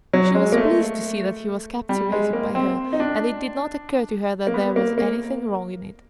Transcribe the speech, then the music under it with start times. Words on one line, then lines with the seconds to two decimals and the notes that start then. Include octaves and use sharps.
She was pleased to see that he was captivated by her and it did not occur to her that there was anything wrong in it.
0.14 F#3
0.35 G#3
0.52 A#3
0.58 A3
1.89 G3
2.12 G#3
2.33 A#3
2.55 C4
2.93 D#4
3.00 D4
4.47 A#3
4.54 B3
4.76 A#3
4.98 A#3